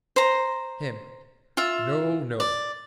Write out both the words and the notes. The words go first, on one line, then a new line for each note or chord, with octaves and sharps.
HIM: No, no.
C5 A#5
F4 E5
D5